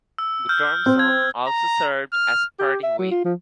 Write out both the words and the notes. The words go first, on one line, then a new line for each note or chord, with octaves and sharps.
Guttormson also served as party whip.
E6
F6 G6
C4
G#6
A#5
F6
G4
E5
F#3
F4
F3